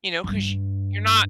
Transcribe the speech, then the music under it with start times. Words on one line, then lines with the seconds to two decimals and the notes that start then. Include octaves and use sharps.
you know, 'cause you're not
0.24 G2